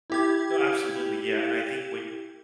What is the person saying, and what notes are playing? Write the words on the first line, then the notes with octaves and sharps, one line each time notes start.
no, absolutely, yeah, and I think when
E4 G4 G#6